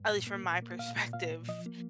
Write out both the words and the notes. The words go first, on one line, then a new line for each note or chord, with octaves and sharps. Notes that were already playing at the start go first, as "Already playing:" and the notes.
at least from my perspective.
Already playing: G2
A#2
A#3
A#2
A#3
A#2 F5
A#2
A#2 F5
A#2
F3 D#5
A#3